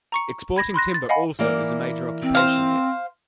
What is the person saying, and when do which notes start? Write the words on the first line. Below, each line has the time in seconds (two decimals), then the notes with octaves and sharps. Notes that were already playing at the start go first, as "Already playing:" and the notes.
Exporting timber also is a major occupation here.
0.12 A#5 C#6 C#7
0.56 B5 G#6 A#6
0.74 B5 C6 F#6 A#6
0.94 A6
1.09 D#5 F5 F#5 G#5 B5
1.39 E3 A#3 D5
2.22 C4
2.35 C5 F5